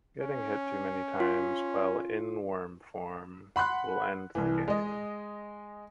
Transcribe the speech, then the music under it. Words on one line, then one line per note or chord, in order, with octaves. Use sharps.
Getting hit too many times while in worm form will end the game.
C#4
F4
F#5 B5 C6 F#6
C2 E3
G#3 D#5